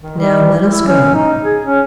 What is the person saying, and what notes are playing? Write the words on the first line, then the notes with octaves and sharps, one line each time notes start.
Now let us go.'
D#3
G3
E4
C#4
D#4
G#4
C#4